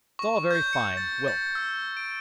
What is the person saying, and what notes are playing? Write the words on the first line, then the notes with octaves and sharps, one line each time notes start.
'It's all very fine--Well!
C#6
G6
C#7
A6
A6
E6
D7